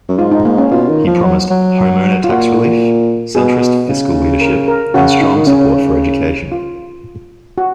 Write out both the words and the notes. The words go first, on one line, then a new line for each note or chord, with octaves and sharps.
He promised homeowner tax relief, centrist fiscal leadership, and strong support for education.
F#2
G#2 F4
D#4
A#3
C#4
B2 F4
D#3
F3
F#3
F#3
F4
A#2 F#4
B2 G#4
C#3
A#4
A#4
C#3 F#4
D#4
D#3
C#3 C#4
F4
F#4